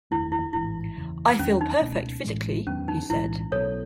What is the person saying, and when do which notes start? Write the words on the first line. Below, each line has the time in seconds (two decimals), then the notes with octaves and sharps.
"I feel perfect physically", he said.
0.11 F#1 E2 D#3 A3 E4
0.32 E4
0.53 A1 G#2 E3 E4
0.96 F#1 E2 C#3 E3
1.39 E2 D#3 F#3 C#4
1.61 D#4
1.81 C#2 B2 A3 C#4
2.24 A1 A2 E3 G#3
2.67 E2 D#3 F#3 B3 C#4
2.88 D#4
3.09 B1 A2 E3 G#3 E4
3.52 B1 B2 F#3 B3 A4 C#5